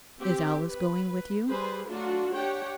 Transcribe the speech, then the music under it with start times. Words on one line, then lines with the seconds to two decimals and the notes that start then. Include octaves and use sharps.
'Is Alice going with you?'
0.19 C4 G4
0.68 B4
1.49 G3 G#4 B4 C5
1.87 F#3 A3 D4 F4 F#4
2.34 D4 G4 C#5 F#5 G5